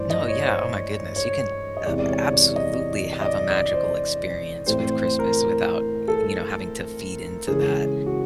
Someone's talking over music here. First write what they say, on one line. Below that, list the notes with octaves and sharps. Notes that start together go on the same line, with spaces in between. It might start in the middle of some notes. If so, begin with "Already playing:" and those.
No, yeah. Oh my goodness, you can, uh, absolutely have a magical experience with Christmas without, y you know, having to feed into that,
Already playing: G2 E3 A3 C5 D5
D#5
C#5
C5
C#5
D#5
E2 C3 E3 G#3 D5
D5
C#5
D5
D#5
D#5
D5
D5
C5
A2 E3 A3 C4 C5
C5
C5
A#4
A4
C#3 E3 G#3 C#4 G#4
F#4